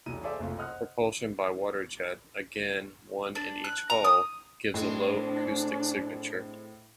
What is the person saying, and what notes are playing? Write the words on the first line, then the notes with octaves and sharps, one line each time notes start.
Propulsion by water jet, again one in each hull, gives a low acoustic signature.
E1 B1 E4 D#7
G#4 A4 C5 D5 E5 F5
F#1 C2 F#2 A3 F4
C5 D#5 F#5 D#6 F6 F#6
D4
F#6
A#5
D#6
A2 G#3 C4 D4